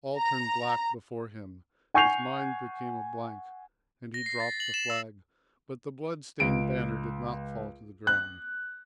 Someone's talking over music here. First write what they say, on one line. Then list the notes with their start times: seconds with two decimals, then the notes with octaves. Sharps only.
All turned black before him, his mind became a blank, and he dropped the flag; but the blood-stained banner did not fall to the ground.
0.18 A#5
1.94 F#5 G#5 C#6 G6 C7 F7
4.14 A#6
4.26 C7
4.40 A6
4.60 F#7
4.74 E7
4.90 E6
6.40 C#2 D7
8.07 F#6